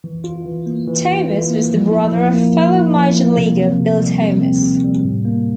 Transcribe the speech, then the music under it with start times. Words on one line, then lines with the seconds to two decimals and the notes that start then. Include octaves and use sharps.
Thomas was the brother of fellow Major Leaguer, Bill Thomas.
0.04 E3
0.24 F4
0.45 E3
0.66 A#3
0.87 E3
1.08 F4
1.29 E3
1.50 A#3
1.71 F3
1.91 E4
2.12 F3
2.33 A#3
2.54 F3
2.75 E4
2.96 F3
3.16 A#3
3.37 C3
3.59 C4
3.80 C3
4.01 G3
4.21 C3
4.42 C4
4.62 C3
4.84 G3
5.05 A2
5.25 A#3